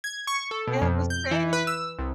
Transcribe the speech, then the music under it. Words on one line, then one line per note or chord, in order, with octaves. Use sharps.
Yeah, the same.
G#6
C#6
A4
B2
F2
G6
E3
B4
E6
C2